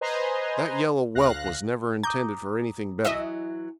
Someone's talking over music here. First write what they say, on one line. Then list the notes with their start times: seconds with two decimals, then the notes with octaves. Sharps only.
That yellow whelp was never intended for anything better.
0.01 B4 C5 D#5 G#5 A#5 C6
1.15 D2 F5 F#6 A#6
2.03 A#5 D6 D#6 G6
3.05 E3 F#3 D#5 E5